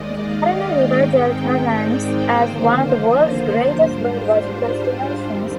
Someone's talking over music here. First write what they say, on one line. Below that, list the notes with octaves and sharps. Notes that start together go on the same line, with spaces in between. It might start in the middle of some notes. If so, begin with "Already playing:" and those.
The Parana River delta ranks as one of the world's greatest bird-watching destinations.
Already playing: D#2 D#3 G#3 D5 D#5
F5
G5
G#2 D#3 G#3 C4 D#4
D5
C5
D#2 D3 F3 A#3 F4
G#2 G3 D4 F4 C5
F2 D#3 G3 C4